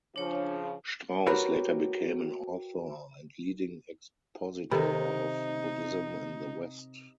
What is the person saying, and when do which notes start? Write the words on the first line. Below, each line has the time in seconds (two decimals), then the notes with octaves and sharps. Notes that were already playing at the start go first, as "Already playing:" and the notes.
Strauss later became an author and leading expositor of Buddhism in the West.
0.16 C#3 F3 D4 C#5
1.27 F#4 G4 A#4 B4 C#5
4.71 C3 D#3 D#4 A4